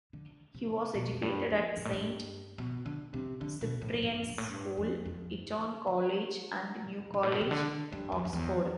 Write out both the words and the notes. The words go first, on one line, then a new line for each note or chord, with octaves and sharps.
He was educated at Saint Cyprian's School, Eton College and New College, Oxford.
D3
C3
B2
F2
G2
F2
G2
A2
G2
B2
D3
C3
D3
B2
A2
G2
A2
G2
A2
G2
F2
F2
G2
C3
D3
G2
A2
B2
C3
D3
G2
F2
F2
E2